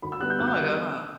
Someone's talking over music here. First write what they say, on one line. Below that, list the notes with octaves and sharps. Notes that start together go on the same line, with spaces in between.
Oh my god.
D2 B5
E6
D3 G3 B3 F#6
G6
D2 F#6
G6
D3 G3 B3 F#6